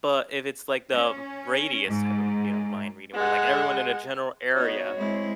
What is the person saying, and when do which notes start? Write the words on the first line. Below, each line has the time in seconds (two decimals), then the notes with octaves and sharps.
but if it's, like, the radius type of, you know, mind reading where, like, everyone in a general area,
0.91 C#4
1.87 G#2
3.15 G#3 F#5
4.54 B3 D#4 F#4 C#5
4.96 G#3 C4 E4